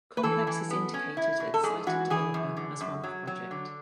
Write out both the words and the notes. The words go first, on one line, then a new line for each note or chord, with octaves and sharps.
Complex is indicated at site of developer as one of project.
B4
E3 A4
E3
B3
C#4
E4
B2
A4
G#2 G#4
E3 F#4
E3 G#4
F#2
D3
F#2
F#3
F#3
D3